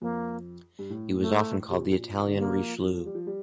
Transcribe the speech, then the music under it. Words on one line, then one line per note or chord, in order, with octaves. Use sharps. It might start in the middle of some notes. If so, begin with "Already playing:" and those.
He was often called the "Italian Richelieu".
F2 A#3
G2
A2
A3
C3
A#2
D3
C3 A#3
G3
F3
F3
F3
G3
F3
G3